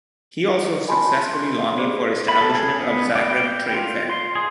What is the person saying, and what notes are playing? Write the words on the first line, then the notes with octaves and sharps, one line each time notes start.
He also successfully lobbied for establishment of Zagreb trade fair.
F4 D#5 G#5 A5 B5 C6
C6 C#6
G4 G#4 B4 C5 D5 D#5
B5
A4
G#4
B3
D5
G5
F4
C6
G#4